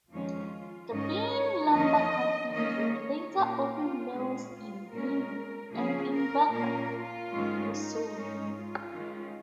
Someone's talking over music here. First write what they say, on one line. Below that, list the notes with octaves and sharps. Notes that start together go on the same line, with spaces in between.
The Bean Lumber Company would later open mills in Glenwood and in Buckner, Missouri.
F2 D#3 G#3 C#4 F4
G#2 D#3 C#4 D#5
C#5
F2 D#3 A#3 C#4 D#5
D#3 A#3 C#4 D#5
C#5
A#2 A#3 C#4 A#4
F4
A#2 G#3 C#4 G#4
F4
A#2 G#3 C#4 A#4
C#3 F3 A#3 C#4 G#4
A#4
A#2 A#3 C#4 A#4
F4
G#2 D#3 G#3 C#4
D#4
G#2 G#3 C#4
F4
D#3 G#3 C#4